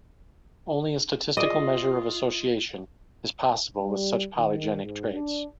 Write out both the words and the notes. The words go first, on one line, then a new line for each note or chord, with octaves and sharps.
Only a statistical measure of association is possible with such polygenic traits.
F4 G#4 D5 D#5 D6
G3
D#3
G#2
D4